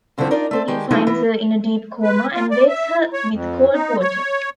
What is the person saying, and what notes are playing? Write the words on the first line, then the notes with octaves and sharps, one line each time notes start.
He finds her in a deep coma and wakes her with cold water.
G2 D3 E3 F3 C4
D4 D#4 F4 A#4 D5
A3 C4 A4
D#3 G#3 G4
E3 F3 G#3 A3 C4 D#4
E3 B3
B4
F4
D5
E5
C#5
F2
D#4
C#5